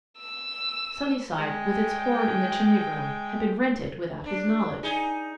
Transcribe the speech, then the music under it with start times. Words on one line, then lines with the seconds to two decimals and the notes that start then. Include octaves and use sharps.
Sunnyside, with its hoard in the chimney-room, had been rented without his knowledge!
0.18 E6
1.38 G#3 G5
4.25 D4
4.83 D#4 G#4